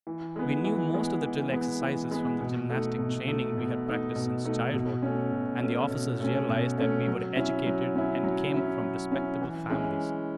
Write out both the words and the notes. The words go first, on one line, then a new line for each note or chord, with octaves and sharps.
We knew most of the drill-exercises from the gymnastic training we had practiced since childhood, and the officers realized that we were educated and came from respectable families.
E3
G#3 B3
E3
G#3 B3
E3
G#3 B3
E3
G#3 B3
B2
A3 D#4
B2
A3 D#4
B2
A3 D#4
B2
A3 D#4
B2
A3 C#4
B2
A3 C#4
B2
A3 C#4
B2
A3 C#4
F#3
C#4 E4
F#3
C#4 E4
F#3
C#4 E4
F#3
C#4 E4
E3
G#3 C#4 E4